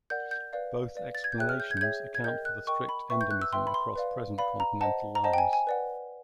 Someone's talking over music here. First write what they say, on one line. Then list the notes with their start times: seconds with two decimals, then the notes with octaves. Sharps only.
Both explanations account for the strict endemism across present continental lines.
0.10 A#4 D5 F#5 G6
0.31 G6
0.53 B4 D5 F5
0.95 B4 D5 F5
1.15 A6
1.24 G#6
1.32 G6
1.38 G#4 C#5 E5 G5 F#6
1.49 F6
1.60 G6
1.71 G#6
1.77 G6
1.81 G#4 C#5 E5 G5 G#6
2.15 G#6
2.24 A#4 D#5 G5 G6
2.45 F#6
2.67 A#4 D#5 G5 C#6
2.89 B5
3.10 B4 E5 G5 C#6
3.21 G6
3.31 F#6
3.42 E6
3.53 B4 E5 G5 C6
3.67 B5
3.74 C6
3.96 B4 D5 F5
4.38 B4 D5 F5 B5
4.60 A#5
4.81 C5 D#5 F#5 A5
5.15 A#5
5.24 C5 D#5 F#5 A5
5.33 G5
5.38 G#5
5.53 G#5
5.67 B4 D5 F#5